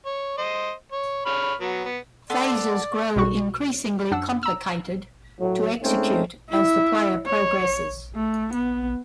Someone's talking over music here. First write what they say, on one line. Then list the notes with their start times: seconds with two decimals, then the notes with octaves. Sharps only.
Phases grow increasingly complicated to execute as the player progresses.
0.06 C#5
0.38 C5 D#5
0.92 C#5
1.26 C#5 B5 F6
1.61 F#3 B3
1.85 B3
2.30 B3 A4 D5 C6
3.16 B1 B2 G3 F#4 C#6
4.11 F#2 D4 F#5 E6
4.43 A#5 E6
5.39 A2 F#3
5.82 G#3 A3 C4 C#4 D#4
6.49 E4 E5
7.26 C#5
8.15 A3
8.53 B3